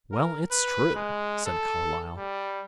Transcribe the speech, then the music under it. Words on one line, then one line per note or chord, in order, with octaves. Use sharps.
"Well, it's true," said Carlyle.
A#4
B4
G#3
A4
G3